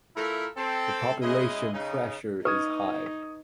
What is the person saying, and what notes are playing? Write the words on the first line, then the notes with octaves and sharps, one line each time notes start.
The population pressure is high.
A3 E4 F4 A4 A#4
C4 A4
C#3 G#3 E4 G#4 D#5
C#3 D#4
D#4 B4 C#6 D#6 G#6